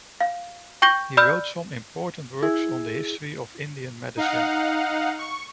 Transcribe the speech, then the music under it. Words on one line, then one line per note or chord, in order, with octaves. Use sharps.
He wrote some important works on the history of Indian medicine.
F5
G5 C#6 G6 A#6 G7
D5 B5 E6 F6 G6
E4 G#4
D#4 F5 F#5
C#6